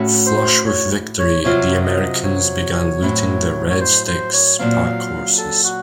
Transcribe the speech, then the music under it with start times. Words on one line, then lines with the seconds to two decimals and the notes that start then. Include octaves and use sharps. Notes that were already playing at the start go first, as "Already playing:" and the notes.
Flush with victory, the Americans began looting the Red Sticks' pack-horses.
Already playing: A2 A3 C#4 F#4
0.26 C5
0.66 C#5
1.19 C#5
1.44 C3 F#3 C4 F4 C#5
1.84 D#5
2.23 C#5
3.02 A2 F#3 C4
3.70 C#5
3.80 C5
4.07 C5
4.34 C#5
4.59 A#2 F#3 C4 F5
5.37 A4
5.64 F#4